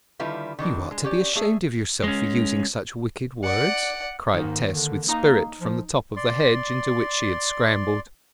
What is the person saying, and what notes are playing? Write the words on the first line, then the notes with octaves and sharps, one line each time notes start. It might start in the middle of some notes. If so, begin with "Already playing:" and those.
"You ought to be ashamed of yourself for using such wicked words!" cried Tess with spirit, from the top of the hedge into which she had scrambled.
D3 D#3 G3 E4 F4 B4
D#3 E3 D4 A#4
G#3
C#4 G4 D5
A3 G#4 E5
G#3 C#4
D5 F#5
G#2 D#3 A#3
D3
A#3 D#4 A#5
F3
D5 C6